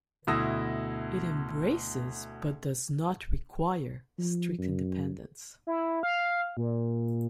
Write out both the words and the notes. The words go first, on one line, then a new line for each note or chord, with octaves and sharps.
It embraces but does not require strict Independence.
D2 B2 E4 D#6 E6 A#6
F3
F#2
E4
F5
A#2